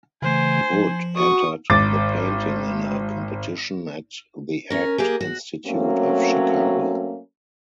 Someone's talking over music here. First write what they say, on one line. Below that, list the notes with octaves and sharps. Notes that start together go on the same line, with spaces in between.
Wood entered the painting in a competition at the Art Institute of Chicago.
C#3 E3 A3 C5 G#5
F3
F#4 C#6 D#6
G#1 D6 A6
C#4 A#4
A#3 G4 G#4
F#4
F#3 A3 A#3 C4 C#4